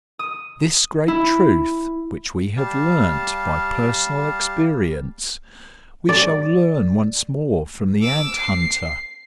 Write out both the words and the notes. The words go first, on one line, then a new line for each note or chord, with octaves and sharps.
This great truth, which we have learnt by personal experience, we shall learn once more from the Ant-hunter.
D#6
E4
G3 G4 F5 A5
D5
D6 E6
C7